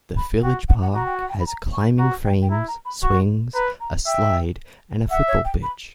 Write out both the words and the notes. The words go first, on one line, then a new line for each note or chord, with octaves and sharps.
The village park has climbing frames, swings, a slide and a football pitch.
B5
F#4 G5
F#5
F#5
F#4 A#5
G5
F#5
G5
B5
A#5
C#6
F#4 A#5
G5
G5
E4 A#5
A#5
B5
F#4 C#6
B4 A#5
A#5
E5 G5
E5 F#5
C#5
G5
B5